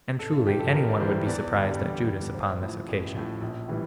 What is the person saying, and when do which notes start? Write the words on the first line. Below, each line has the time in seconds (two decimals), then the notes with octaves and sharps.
And truly any one would be surprised at Judas upon this occasion.
0.19 A1 A4
0.33 F4
0.46 G2 E3 G3 G4
0.59 A4
0.73 A1 A#4
0.89 D5
1.00 G2 E3 G3 C5
1.27 E2 D5
1.53 D3 G3
1.81 E2
2.08 D3 G3
2.34 A1 C5
2.61 A2 F3
2.88 A1
3.15 A2 F3
3.41 A#1
3.68 A2 E3 G3